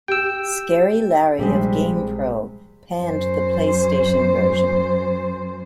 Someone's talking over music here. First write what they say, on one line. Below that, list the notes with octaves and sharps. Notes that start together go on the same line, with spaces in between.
Scary Larry of "GamePro" panned the PlayStation version.
G4 G5 E6
A#1 C3 G3 G#3
F#2 C5